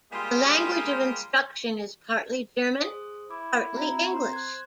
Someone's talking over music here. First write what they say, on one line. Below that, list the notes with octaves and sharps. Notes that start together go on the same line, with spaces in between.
The language of instruction is partly German, partly English.
G3 G#3 A#3 F4 G4
G#4 C5 D#6
E4 D6
C4 F#4 A#5
C5
F#6 G#6